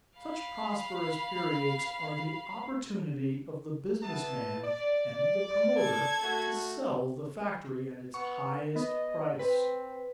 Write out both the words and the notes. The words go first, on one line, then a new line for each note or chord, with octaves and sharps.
Such prosperous periods are the opportunity of the business man and of the promoter to sell the factory at its highest price.
F5 B5
E3 B3 A5
D5
A4 G#6
A3 F#4
B3 C#6
B3 D#5
C4 B4